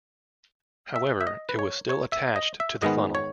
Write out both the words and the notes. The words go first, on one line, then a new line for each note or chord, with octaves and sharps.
However, it was still attached to the funnel.
E5
E5
D#5
B4
C#5
C#5
E5
D#5
E5
G#2 D#3 G#3 B3 D#5
C#5